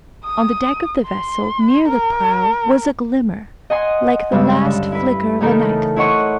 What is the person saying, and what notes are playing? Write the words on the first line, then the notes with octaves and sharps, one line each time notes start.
On the deck of the vessel, near the prow, was a glimmer, like the last flicker of a night-light.
D#6
C6
A#4
D#5 F#5 G#5 C6 D#6
G2 C#3 G#3 E6
D3
E4 B4
C#3 E3 A3 D#4 A4 A#4
E4 C5 C#5 D#5 F#5 C#6